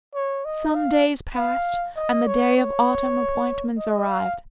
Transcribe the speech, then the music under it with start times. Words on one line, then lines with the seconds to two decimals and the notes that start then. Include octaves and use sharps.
Some days passed, and the day of autumn appointments arrived.
0.14 C#5
0.45 D#5
0.75 F5
1.36 F5
1.96 D#5
2.27 C#5
2.57 C#5
3.78 D#5
4.08 F5